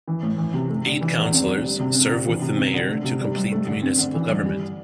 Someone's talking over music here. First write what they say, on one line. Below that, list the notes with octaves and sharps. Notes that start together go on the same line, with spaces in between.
Eight councillors serve with the mayor to complete the municipal government.
E3
A2
E3
C3
A3
D3
E3
E2
C4
D3
G3
C3
C4
D3
E3
C3
C4
D3
A3
C3
G3
G2
A3
D3
C4
D3
E3
G2
G3